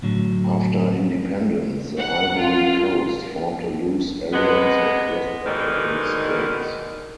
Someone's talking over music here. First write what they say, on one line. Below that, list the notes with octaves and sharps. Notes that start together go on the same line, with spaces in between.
After independence, the Ivory Coast formed a loose alliance of West African states.
A2 D3 F#3
F#5
F4
C3 G#3 B3
G#2 B2 D3 D#3